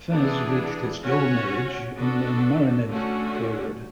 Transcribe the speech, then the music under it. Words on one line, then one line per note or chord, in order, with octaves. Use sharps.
Fez reached its golden age in the Marinid period.
E3 B3 D4 G#4
C#4 F#4 C#5
B3 D4 F#4 A4
D3 A3 C#4 F#4